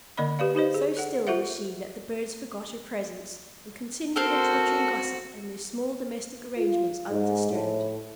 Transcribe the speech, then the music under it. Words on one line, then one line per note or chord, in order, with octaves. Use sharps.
So still was she that the birds forgot her presence, and continued their twittering gossip and their small domestic arrangements undisturbed.
D3 A#3 D5 D#5 B5
G4 B4 D5 F5
D#4 G4 C5 D#5
G#4
A4 F#5
F4 A4 C5 E5 F#5
C4 F#4 A4 A#4 C5
F4
G#2
A2